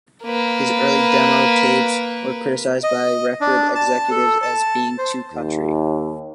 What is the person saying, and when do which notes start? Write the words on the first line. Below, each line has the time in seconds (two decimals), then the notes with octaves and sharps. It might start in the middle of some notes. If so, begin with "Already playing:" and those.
His early demo tapes were criticized by record executives as being too country.
0.24 A#3 B4
2.84 D#5
3.41 D4
3.75 A5
4.11 A4
4.42 A5
4.98 C5
5.33 D#2